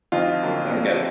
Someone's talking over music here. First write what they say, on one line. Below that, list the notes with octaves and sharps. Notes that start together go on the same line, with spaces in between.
I don't get it.
F2 D#4 F4
D3 F#3 A#3
F2